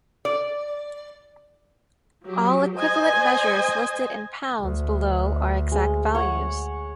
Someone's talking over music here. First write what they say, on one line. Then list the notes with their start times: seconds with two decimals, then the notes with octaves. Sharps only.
All equivalent measures listed in pounds below are exact values.
0.25 D5
2.25 F#3 G4
2.77 C5 D#5 G#5
4.61 D2
5.72 G#3
6.15 C#5 F#5